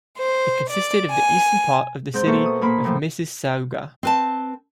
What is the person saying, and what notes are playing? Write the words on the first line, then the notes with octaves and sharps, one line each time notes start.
It consisted of the eastern part of the City of Mississauga.
C5
D5
G#5
G#2 C4 G6
B2 A#3 A4 E5 C#6
D#6
A#2 A#3 B5
A2 F3
C4 B4 A5